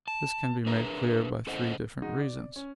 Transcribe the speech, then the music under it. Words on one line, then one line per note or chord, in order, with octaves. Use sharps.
This can be made clear by three different reasons.
A5
D4 G#4 A#4 B4 E5 A#5
C#4 E4 A4 C5 D#5 F#5
G#3 D#4 F#4
D5
C#4